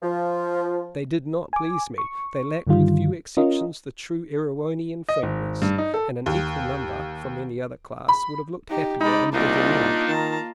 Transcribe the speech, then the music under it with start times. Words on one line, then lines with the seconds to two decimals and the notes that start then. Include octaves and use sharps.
They did not please me; they lacked, with few exceptions, the true Erewhonian frankness; and an equal number from any other class would have looked happier and better men.
0.03 F3
1.53 G#5 D6
1.98 C#6
2.67 G2 D3 D#3 G3 F4
3.37 C#4 F4 A#4 D#5
5.09 D#5
5.23 G#1
5.62 G2
5.78 D#4
5.94 A4
6.26 D#2
8.09 B5
8.69 D#4 G4
9.01 G#3 D#4 D5 B5
9.33 C2 A#3 D4 D#4 F4 D5 D#5
10.09 D#3 A5 A#5